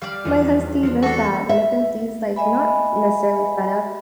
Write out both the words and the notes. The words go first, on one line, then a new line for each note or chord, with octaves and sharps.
my Husky does that whenever he's, like, not necessarily fed up,
G3 D5 F5
E2 E3 F3 D#4
F3 C4 D4
E2 A3 D4 F#4 A4
E5
D#5 E5 G#5 B5